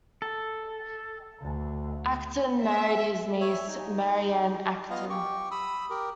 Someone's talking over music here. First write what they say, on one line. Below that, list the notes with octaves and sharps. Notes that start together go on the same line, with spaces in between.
Acton married his niece Mary Anne Acton.
A4
D2
E5
C#5 E5
D#4
B3 F4 D#5 F5
G4 C#6
B5 D#6 E6
G4 A#4